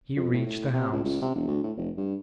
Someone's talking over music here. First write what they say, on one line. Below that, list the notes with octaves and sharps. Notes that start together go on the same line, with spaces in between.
He reached the house.
F2
A2
A2
C3
C#2
C#2
C3
E1
D2
A2
F1
G2